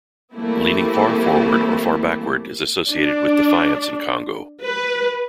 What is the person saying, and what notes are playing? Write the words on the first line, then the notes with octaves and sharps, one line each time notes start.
Leaning far forward or far backward is associated with defiance in Kongo.
E3 G3 A3 A#3 C4 E4
D4
B4